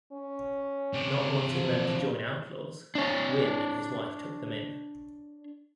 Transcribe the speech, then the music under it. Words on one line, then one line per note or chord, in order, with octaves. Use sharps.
Not wanting them to join outlaws, Winn and his wife took them in.
C#4
C3 D4
F3
D4 C#5